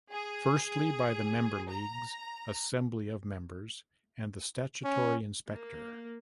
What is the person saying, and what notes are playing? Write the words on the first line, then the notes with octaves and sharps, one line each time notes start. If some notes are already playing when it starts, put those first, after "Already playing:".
Firstly, by the Member Leagues, Assembly of Members and the Statutory Inspector.
G#4
A#5
C#4
A#3